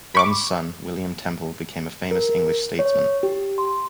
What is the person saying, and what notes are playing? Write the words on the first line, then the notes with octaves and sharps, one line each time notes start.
John's son William Temple became a famous English statesman.
B5 C#6 D6
A#4
C#5
G4
C6